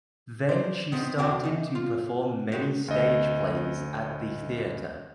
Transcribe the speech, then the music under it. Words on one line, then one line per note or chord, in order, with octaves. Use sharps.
Then she started to perform many stage plays at the theater.
C5 D5
D#3 B3 C4
E2 C3 D4 F#4 G5
E3 D#4
F4
G#3 F#4 G4
D2 D#5